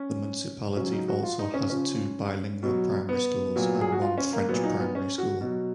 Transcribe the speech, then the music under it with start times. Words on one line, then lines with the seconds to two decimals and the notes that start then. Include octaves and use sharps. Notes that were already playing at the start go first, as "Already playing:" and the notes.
The municipality also has two bilingual primary schools and one French primary school.
Already playing: C#4
0.77 C#3 F#3 C#4
0.93 D#4
1.08 F#4
1.23 F4
1.39 D#4
1.54 C#4
1.70 C#3 F3 C#4
2.63 B2 F#3
3.09 B3
3.56 A#2 F#3
3.81 G#4
3.92 F#4
4.02 F4
4.18 C#4
4.33 A#3
4.49 A#2 F#3 B3
4.64 D#4
4.80 B3
4.95 C#4
5.18 F#4
5.41 B2 F#3